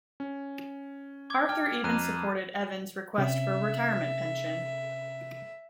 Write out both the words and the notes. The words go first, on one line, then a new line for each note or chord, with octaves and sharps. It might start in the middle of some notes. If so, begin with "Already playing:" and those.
Arthur even supported Evans' request for a retirement pension.
C#4
C#6 D6 G#6
G5 A5 F6
F2 A#5 F#6 D#7
C3 C#4 E5